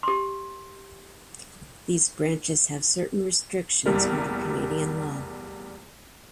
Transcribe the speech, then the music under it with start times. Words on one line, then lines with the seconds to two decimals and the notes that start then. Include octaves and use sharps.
These branches have certain restrictions under Canadian law.
0.03 G4 C6
3.86 F1 A#1 E2 G3 A#4